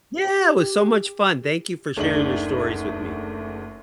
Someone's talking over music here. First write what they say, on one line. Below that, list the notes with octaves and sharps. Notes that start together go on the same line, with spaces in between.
Yeah, it was so much fun. Thank you for sharing your stories with me.
G4
F#1 D2 C#3 D4 D#4 F#7